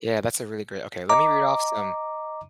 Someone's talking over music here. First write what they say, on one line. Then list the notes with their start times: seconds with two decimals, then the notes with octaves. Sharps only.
Yeah. That's a really great okay, let me read off some
1.09 D#5 A#5 D6